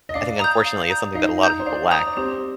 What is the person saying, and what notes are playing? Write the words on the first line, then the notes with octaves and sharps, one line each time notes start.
I think unfortunately it's something that a lot of people lack.
D#5
D4 D5 F5
A#5 D#6 G6
F5
A#5 D#6 G6
D#4 D#5 F5
A#5 D#6 G6
C5
D4 D5 F5
A#5 D#6 G6
D5
C4 G4 C5